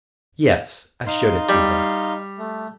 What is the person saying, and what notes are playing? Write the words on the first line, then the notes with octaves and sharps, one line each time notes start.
"Yes; I showed it to him."
D#4 F5 C6
G3
A3